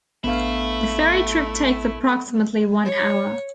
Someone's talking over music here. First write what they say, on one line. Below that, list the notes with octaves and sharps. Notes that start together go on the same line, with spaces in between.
The ferry trip takes approximately one hour.
A1 A3 B3 D4 E4 F5
C#5